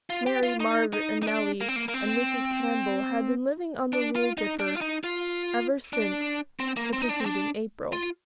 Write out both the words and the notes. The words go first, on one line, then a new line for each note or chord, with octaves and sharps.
Mary Margaret and Nellie and Mrs. Campbell had been living on the Little Dipper ever since the preceding April.
F4
G4
F4
D#4
D#4
D#4
D4
A#3
C4
A#3
A#3
C4
D4
F4
D#4
D4
F4
D#4
F4
D4
C4
A#3
C4
D#4
D4
C4
D4
F4